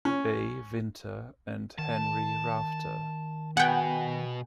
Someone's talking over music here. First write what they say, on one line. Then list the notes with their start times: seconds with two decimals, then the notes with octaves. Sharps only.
A. Vinter and Henry Rafter.
0.05 C#4
1.79 D#3 A5
3.57 B2 B3 G#4 F#5 G5